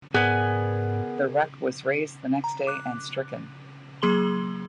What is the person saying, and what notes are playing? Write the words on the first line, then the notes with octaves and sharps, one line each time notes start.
The wreck was raised the next day and stricken.
G#2 B3 G#4 A#4 D5 G#5
A#5
D6 F#6
F#3 A#3 G#4 C6 F#7 G7